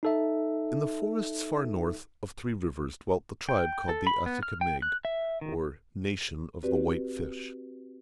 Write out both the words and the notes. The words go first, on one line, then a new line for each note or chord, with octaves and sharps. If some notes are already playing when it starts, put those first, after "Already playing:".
In the forests far north of Three Rivers dwelt the tribe called the Atticamegues, or Nation of the White Fish.
D#4 A4 E5
G5
A4
B5
B3
F6
G5
F#6
E5
D#3
C4 F#4 G4 B4 D5